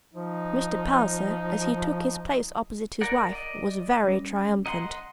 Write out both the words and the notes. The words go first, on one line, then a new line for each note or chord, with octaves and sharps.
Mr. Palliser, as he took his place opposite his wife, was very triumphant.
F3 D#4
A#4 D5 F#5
D5 D#5
G3 C#4
D#5 F#5 A#5 C6